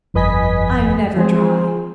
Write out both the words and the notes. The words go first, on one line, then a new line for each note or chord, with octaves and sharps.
I'm never dry.
G1 F2 B4 D#5 G#5 B6
F3 G#3 C4 G#4 C5